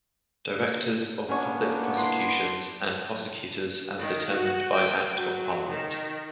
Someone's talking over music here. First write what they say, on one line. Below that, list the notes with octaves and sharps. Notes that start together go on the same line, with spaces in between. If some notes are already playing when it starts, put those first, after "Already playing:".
Directors of Public Prosecutions and prosecutors as determined by an Act of Parliament.
A#3 B3 C#4 D4 C#5
E4 C6
D#3
F#4
G5
F#3
D#3